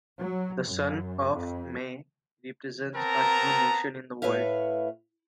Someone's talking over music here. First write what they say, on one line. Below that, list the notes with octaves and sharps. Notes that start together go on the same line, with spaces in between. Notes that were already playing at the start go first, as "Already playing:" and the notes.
The Sun of May represents a new nation in the world.
F#3
F#2
F2
B3 C4 A#4 A5 A#5
A2 B4 C#5 E5 F5